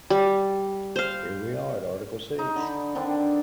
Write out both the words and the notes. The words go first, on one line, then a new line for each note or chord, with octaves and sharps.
Here we are at article six.
G3
C5 F5
D#4
D3 B5
D3 D#3 C4 D4